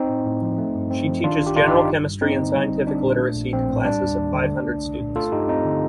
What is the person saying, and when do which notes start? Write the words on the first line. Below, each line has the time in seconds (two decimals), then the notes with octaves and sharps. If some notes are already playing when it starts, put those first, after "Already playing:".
She teaches general chemistry and scientific literacy to classes of five hundred students.
Already playing: C4 D#4
0.09 A2
0.26 A2
0.42 F3
0.58 A3
0.75 G2
0.91 C4
1.07 F3
1.24 D#3 D4 F4
1.40 A1
1.47 G4
1.56 A1 D4 F4
1.67 D#4 G4
1.73 G2
1.89 G3
2.05 G2
2.21 A#3 C4 D#4
2.38 D3
2.54 G3
2.70 A#1
2.87 C4 D4
3.03 A#2
3.20 A3
3.36 A#1
3.53 A#1 C4
3.69 A2
3.85 G3 D4
4.02 D#2
4.18 D#2
4.34 D3
4.51 A3
4.67 C2
4.83 C2
4.99 A#2
5.16 A3 F4 A4
5.32 G2 D#4 G4
5.48 C4 D#4
5.65 D3